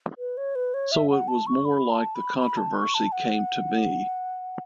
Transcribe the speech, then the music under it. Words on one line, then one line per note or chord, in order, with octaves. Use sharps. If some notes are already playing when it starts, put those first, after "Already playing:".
So it was more like the controversy came to me.
B4
C#5
B4
C#5
E5
F#5
A5
C#6
B5
A5
B5
B5
A5
C#6
A5
F#5